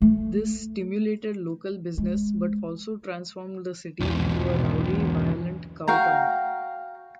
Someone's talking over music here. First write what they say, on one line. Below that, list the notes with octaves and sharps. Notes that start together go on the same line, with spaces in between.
This stimulated local business but also transformed the city into a rowdy, violent cowtown.
A3
G#3
B1 E2
F#4 F5 G5 A#5